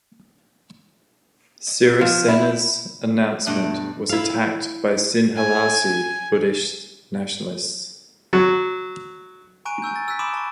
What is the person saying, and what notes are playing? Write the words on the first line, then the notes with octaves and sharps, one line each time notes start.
Sirisena's announcement was attacked by Sinhalese Buddhist nationalists.
F3
E4
G2 B2 A3 F#5
E4 F5
G#5
F#3
G#5 A#5 C#6 F#6 D7 D#7
G#5 C#6 E6 G6
A6
E6 F#6 B6
B5 C6 D6 D#6 D7 E7
A5 C#6